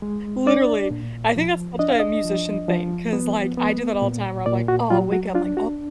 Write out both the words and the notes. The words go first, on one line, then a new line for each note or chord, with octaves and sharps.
Literally. I think that's such a musician thing 'cause like I do that all the time where I'm, like, "Oh" I'll wake up like,
G#3
D4 D5
A#2
F3
D4 D#5
F5
D#5
F3
F3
B3
B3
A#2
A#2 D5
F#4
F#3 F4
F#4
D4 F4
F#4